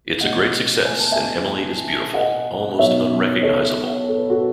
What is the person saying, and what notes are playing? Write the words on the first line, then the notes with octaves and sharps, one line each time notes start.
It's a great success and Emily is beautiful, almost unrecognizable.
B2 A3 C#4 D#5 F#5
G#5
A5
E5 G#5
D#5 F#5
B2 F#3 B3 D#4 C#5 E5
A4 C#5
A4
B4
F#4 A4